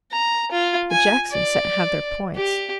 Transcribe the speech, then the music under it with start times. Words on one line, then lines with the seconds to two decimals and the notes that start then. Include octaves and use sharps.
"The Jackson set have their points."
0.12 A#5
0.51 F4
0.91 G#5
1.31 D5
2.35 G4